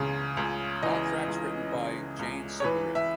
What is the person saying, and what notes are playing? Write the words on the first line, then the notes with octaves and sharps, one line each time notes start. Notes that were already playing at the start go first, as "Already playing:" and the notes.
All tracks written by Jane Siberry.
Already playing: C#2 C#3 E3
C#2
E3 D#5
C#2
C#3
C#2
C#5
E3 B4
E5